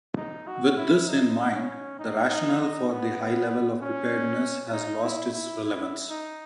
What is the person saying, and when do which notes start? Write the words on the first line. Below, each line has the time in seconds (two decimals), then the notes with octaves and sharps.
With this in mind, the rationale for the high level of preparedness has lost its relevance.
0.17 D#4
0.47 F#4
0.78 E4
1.08 D#4
1.54 C#4
1.99 D#4
2.30 D#4
2.60 D#4
2.91 B3
3.81 C#4
4.73 D#4
5.03 E4
5.34 E4
5.64 E4
6.10 D#4